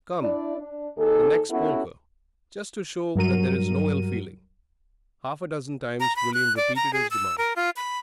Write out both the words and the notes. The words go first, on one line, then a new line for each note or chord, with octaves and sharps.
"Come, the next polka, just to show there is no ill-feeling." Half a dozen times William repeated his demand.
D4 E4 D5
D4
D#2 D#4 G#4 A4
B3 C#4 E4 F#4 G4 A4
G2 F#3 A#4 D#7
A#5
B5
F#6
D5
A#5
G#4
E6
A#4
F4
B5